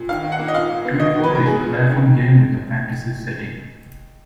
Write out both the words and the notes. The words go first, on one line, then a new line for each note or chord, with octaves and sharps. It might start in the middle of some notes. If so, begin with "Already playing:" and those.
"Twinworld" is a platform game with a fantasy setting.
Already playing: A#2
D#3 F5
D#3
F#5
A#3
D#5
A#2 F5
A#2
B3
B2 D#5
B2
B4
F#3 A#4
B3 G#4
A#2
B3
D#3
D#3